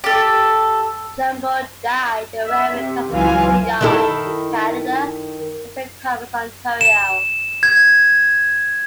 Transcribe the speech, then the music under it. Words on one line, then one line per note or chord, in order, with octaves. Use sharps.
Jumbo died at a railway classification yard in Canada at Saint Thomas, Ontario.
G4 A4
E5
C3
C#2 E3 F#3 F4 F5 G#5
D#3 E4 A4
E7
G#6